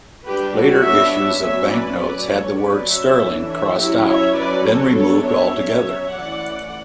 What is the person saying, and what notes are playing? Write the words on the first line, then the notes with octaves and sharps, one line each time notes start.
Later issues of banknotes had the word "sterling" crossed out, then removed altogether.
G3 D4 G4 B4
F#4 A4
G3 B3 D4 C#5 E5
C#5 E5
F#3 C#4 C#5 E5
B4 D5
F#3 A3 C#4 B4 D5
A4 C#5
F#3 C#4 B4 D5
C#5 E5
E3 A3 D4
C#5 E5
F#3 C#4 E4 G4
C#5 E5
F#3 C#4 B4 D5
A4 C#5
F#3 B3 D4 A4 C#5
C#5 E5
F#3 C#4
E3 A3 C#4 D5 F#5